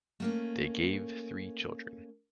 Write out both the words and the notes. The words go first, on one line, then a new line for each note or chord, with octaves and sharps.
They gave three children.
A3 A#3 C#4